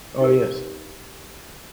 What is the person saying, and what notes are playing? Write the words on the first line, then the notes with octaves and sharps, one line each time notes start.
Oh, yes.
D#4 G4 A#4